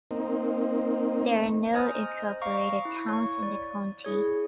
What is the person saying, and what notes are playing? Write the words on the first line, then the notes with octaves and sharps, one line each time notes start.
There are no incorporated towns in the county.
A#3 C4 D#4
C5 D#5 G#5 A#5 D#6 F6
F5 A#5 C#6 D6
E4
C#5 C#6
D5
E4 G#4 C#5